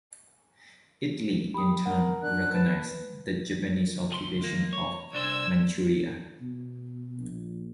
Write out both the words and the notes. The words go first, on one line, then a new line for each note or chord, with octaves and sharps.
Italy in turn recognized the Japanese occupation of Manchuria.
G4 B5 D#6
A#4 F#5
D4 F#6
B4 A5
C#2 G#4 C6
D#2 A#3
C#5
C2 D4 C5 D5 E6 G#6
B2
A#1